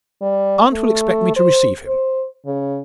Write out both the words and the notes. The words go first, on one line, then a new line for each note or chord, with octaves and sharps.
Aunt will expect me to receive him.
G3
A3
C5
C5
C#3